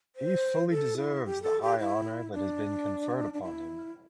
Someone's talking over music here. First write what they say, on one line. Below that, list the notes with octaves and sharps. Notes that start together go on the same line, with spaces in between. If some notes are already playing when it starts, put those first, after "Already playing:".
He fully deserves the high honour that has been conferred upon him.
C5
A4
E4
G4
A4
G4
E4
D4
D4
E4